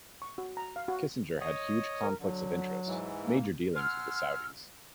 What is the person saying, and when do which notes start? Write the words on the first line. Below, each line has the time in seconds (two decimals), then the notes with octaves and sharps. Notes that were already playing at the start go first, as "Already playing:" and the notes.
Kissinger had huge conflicts of interest -- major dealings with the Saudis...
0.22 C#6
0.38 F#4
0.57 A#5
0.76 F5
0.88 F#4
1.41 C#5 D#5
2.02 A#4
2.19 D3 F#3
2.87 G#2 E3
3.22 A#3
3.75 F#5 G#5 C6 E6 F6